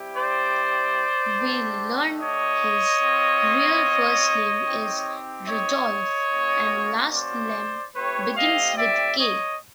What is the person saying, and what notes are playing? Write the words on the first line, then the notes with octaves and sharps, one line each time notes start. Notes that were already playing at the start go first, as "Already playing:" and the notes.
We learn his real first name is "Rudolph", and last name begins with "K".
Already playing: G3 C4 E4 G4
C5 D5
A3 D4 G4
C#5 D#5
C4 F4
C4 D#4 G4
C#5 D#5
A#3 C#4 F#4
C5 D5
A3 C4 E4 G4 B4 C#5
D#5 F5
D5 E5
C#5 D#5